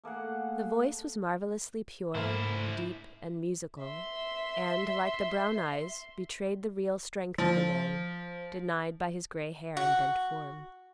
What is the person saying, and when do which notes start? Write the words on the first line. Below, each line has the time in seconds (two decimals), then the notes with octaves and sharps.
The voice was marvelously pure, deep, and musical, and, like the brown eyes, betrayed the real strength of the man, denied by his gray hair and bent form.
0.04 A3 A#3 G#4 F#5
2.15 G#2 A3 A#3 E4 C5 F6
3.80 E5 C6
7.38 F3
9.77 F#4